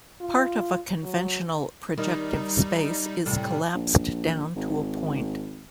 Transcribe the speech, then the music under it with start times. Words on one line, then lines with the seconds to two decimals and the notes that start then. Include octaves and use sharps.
Part of a conventional projective space is collapsed down to a point.
0.21 F4
1.03 F#3
1.98 D#3 G3 D#4
3.26 A2 C3 G3
3.75 A#1
4.56 G#1